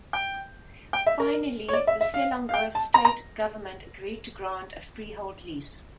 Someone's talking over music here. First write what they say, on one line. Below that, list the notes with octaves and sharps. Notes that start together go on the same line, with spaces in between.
Finally, the Selangor state government agreed to grant a freehold lease.
G5
G5
E5
A#4
C#5
D5
E5
E5
F5
F5
G5
A5
A#5
A#5